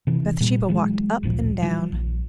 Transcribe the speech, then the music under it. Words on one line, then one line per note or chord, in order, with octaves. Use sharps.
Bathsheba walked up and down.
C3 E3
A#2 G3
E3 F#3 G#3
D1 A1 A#2 F3
D#3 F3 G3
A#1